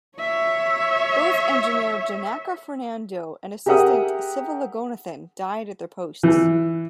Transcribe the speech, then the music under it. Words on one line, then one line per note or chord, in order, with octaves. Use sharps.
Both engineer Janaka Fernando and assistant Sivaloganathan died at their posts.
C#5 E5
G4 G#4 A#4 E5 F#5 D#6
E3